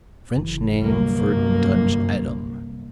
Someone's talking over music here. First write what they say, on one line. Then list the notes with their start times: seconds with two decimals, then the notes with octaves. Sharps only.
French name for Dutch Edam.
0.36 F#1 E3
0.80 G1 C2 F#2 A#3